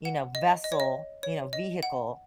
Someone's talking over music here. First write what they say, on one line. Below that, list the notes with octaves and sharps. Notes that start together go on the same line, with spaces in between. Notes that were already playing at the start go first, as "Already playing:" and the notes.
you know, vessel, you know, vehicle,
F#5
D#5
D#5
C#5
D#5
C#5
D#5
F#5